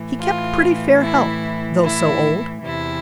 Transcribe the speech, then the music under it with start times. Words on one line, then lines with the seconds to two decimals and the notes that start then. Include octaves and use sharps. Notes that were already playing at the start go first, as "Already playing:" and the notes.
He kept pretty fair health, though so old.
Already playing: A2 E3
0.20 F4
1.01 E4
1.83 E4
2.64 E2 C3 E3 E4